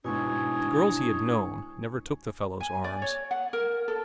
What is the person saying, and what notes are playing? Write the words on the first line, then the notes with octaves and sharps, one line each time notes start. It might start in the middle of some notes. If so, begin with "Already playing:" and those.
The girls he had known never took the fellows' arms.
G#2 B2 D4 E4 G#4 C#5 G#5 C#6
G#5
D5
C#5
F#5
A#4
A4